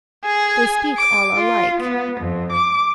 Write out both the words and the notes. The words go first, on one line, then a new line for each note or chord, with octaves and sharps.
They speak all alike.
G#4
D6
F4
B3
F2
D6